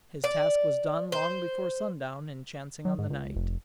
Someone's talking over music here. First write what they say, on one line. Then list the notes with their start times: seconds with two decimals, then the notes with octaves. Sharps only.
His task was done long before sundown in chancing on the knight.
0.24 D5
1.12 C5
2.85 F#3
2.98 G#2
3.10 C#2
3.36 F1